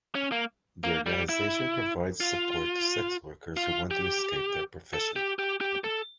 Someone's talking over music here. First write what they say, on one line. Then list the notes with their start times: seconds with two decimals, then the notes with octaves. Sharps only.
The organisation provides support to sex workers who want to escape their profession.
0.15 C#4
0.32 A#3
0.84 A#3
1.06 G3
1.29 E4
2.20 F4
3.57 F4
3.91 G4
4.93 A4
5.16 G4
5.39 G4
5.61 G4
5.84 A4